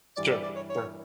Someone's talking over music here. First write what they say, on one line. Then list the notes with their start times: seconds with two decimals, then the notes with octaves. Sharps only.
It's true, sure.
0.17 G2 E3 G3 D5
0.30 D5
0.43 D5
0.56 C#5
0.69 C#5